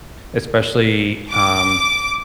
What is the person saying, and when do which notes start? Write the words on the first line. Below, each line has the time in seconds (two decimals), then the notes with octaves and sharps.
especially, um,
1.32 D6